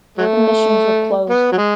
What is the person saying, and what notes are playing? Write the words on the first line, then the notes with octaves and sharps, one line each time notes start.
The missions were closed.
F#3 A3
B3
F#3
G#3